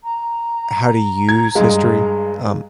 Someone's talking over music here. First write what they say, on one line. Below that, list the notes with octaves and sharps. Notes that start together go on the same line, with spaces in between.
how to use history, um,
A#5
G#6
G2 G#3 F5